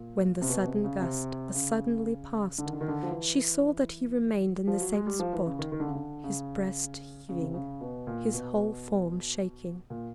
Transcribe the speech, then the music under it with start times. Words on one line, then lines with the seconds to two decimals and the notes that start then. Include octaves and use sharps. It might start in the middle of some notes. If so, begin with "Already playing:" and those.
When the sudden gust as suddenly passed, she saw that he remained in the same spot, his breast heaving, his whole form shaking.
Already playing: A#2
0.42 C3
0.49 B2
0.67 C3
0.84 C#3
1.02 C3
1.54 C#3
2.58 D3
2.66 D#3
2.73 D3
2.81 D#3
2.88 D3
3.03 F3
3.10 E3
4.67 F3
4.81 F#3
4.93 G#3
5.07 G3
5.20 F3
5.33 E3
5.46 C#3
5.59 D#3
5.72 D#3
5.80 D3
5.87 C#3
5.95 D3
6.24 C#3
7.29 C#3
7.41 C3
7.54 C#3
7.81 B2
8.07 A#2
8.33 B2
9.90 A#2